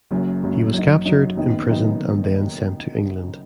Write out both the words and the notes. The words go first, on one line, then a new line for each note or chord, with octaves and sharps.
He was captured, imprisoned and then sent to England.
F#1 F#2 F#3 C#4
F#1 F#2 F#3 C#4
F#2 F#3 D#4
F#2 F#3 D#4
F#1 F#2 D#3 B3 D#4
F#1 F#2 D#3 B3 D#4